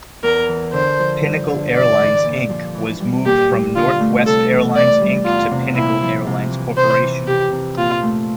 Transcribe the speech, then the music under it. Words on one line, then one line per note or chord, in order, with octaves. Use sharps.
Pinnacle Airlines, Inc was moved from Northwest Airlines, Inc to Pinnacle Airlines Corporation.
E2 A#4
E3
D3 C5
F3
G2
D3
G2 D5
E3
A#2
F3
E3
G3
A#2 G4
G3
D3 F4
A3
C3 A4
E3
E3 D5
G3
E2 F4
C3
A#2 E4
F3
C3
E3
C3 C5
E3
F2 G4
C3
A#2 F4
A3